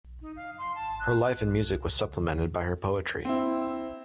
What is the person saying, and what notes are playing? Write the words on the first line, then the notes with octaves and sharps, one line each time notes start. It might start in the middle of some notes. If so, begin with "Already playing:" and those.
Her life in music was supplemented by her poetry.
D#4
F5
C6
A5
F#6
C4 E4